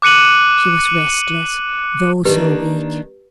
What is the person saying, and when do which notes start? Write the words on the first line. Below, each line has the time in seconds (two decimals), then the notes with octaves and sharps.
She was restless, though so weak.
0.02 D6 F#6 C#7 D#7 F#7
2.25 D#3 A#3 D4 G4 B4